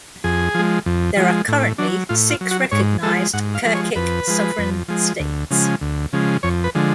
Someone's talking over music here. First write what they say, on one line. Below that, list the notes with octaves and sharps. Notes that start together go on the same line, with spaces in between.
There are currently six recognized Turkic sovereign states.
F2 G#4
F3 G#3
F2
F3 G#3
A2
F#3 D4
A2 F4
F4
F#3
F#4
G#2 C#5
F3 G#3 A4
G#2 F#5
F5
F3 G#3
C#5
F2 B4
F3 G#3
F2
F3 G#3
D2
C#3 F3 G#3
D2
C#3 F3 G#3
F2 C#5
B4
D3 F3 G#3